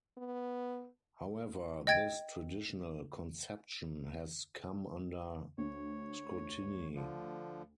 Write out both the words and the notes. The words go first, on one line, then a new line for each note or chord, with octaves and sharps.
However, this traditional conception has come under scrutiny.
B3
D#5 G5 G#6 A6 D7
D2 C#5
D3 F3